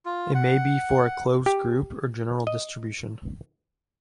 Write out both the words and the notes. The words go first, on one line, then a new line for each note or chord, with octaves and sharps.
It may be for a closed group or general distribution.
F4
F#5
G4
D#5